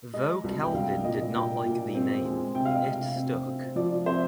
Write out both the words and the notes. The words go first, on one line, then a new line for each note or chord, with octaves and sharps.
Though Clavin did not like the name, it stuck.
G#3 D#5
C2
G5
C2 F5
A#2 D#5
A#2 G5
A#2
C4
G#3
C3 G5
F5
D#5
C3 F5
C4
C4
F3 D5
C4 C5